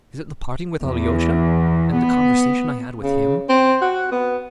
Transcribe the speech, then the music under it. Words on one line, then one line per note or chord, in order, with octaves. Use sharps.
Is it the parting with Alyosha and the conversation I had with him?
E2
B3
C#3
C4
F#4
B3